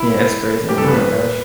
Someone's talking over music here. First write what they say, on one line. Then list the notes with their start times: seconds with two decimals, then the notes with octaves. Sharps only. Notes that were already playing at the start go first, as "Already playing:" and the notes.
Yeah, it's crazy. Oh my gosh.
Already playing: E4
0.68 G2 E3 A3 G4
0.78 A4
0.88 B4